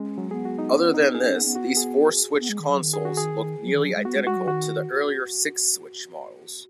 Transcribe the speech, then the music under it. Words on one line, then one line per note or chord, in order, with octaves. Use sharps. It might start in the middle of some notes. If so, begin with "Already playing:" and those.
Other than this, these four-switch consoles looked nearly identical to the earlier six-switch models.
Already playing: G#3 C#4
F#3
B3 G#4
F#4
D#4
C#4
D#4
B3 G#4
C#4
B3
B3
F#4
G#4
B3
G#3
D#3
F#3
D#3
G#4
F#4
G#4
F#3
D#3
F#3
G#3
B3 F#4
G#3
G#3 F#4
F#3
D#3 F#4